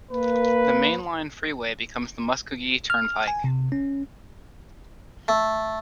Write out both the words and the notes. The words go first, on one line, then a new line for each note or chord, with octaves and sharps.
The mainline freeway becomes the Muskogee Turnpike.
A#3 B4
F6
G#5
C3
C#4
A3